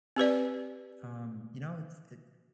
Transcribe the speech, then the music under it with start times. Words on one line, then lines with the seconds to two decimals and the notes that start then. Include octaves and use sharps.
um, you know, it's it
0.16 C4 G4 B4 D5